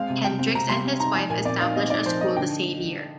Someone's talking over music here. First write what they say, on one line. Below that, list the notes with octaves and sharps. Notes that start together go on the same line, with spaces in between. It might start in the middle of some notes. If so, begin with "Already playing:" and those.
Hendrix and his wife established a school the same year.
Already playing: G#3 C4 F5
C3
C3 G5
C4
C3 A#5
G3 C6
C4
D#4 A#5
F3 G#5
A#2 G#5
C4 D5
D#4 F5
C4 D#5
D#4 D5
F3 C5
D#4 D#5
D3 G5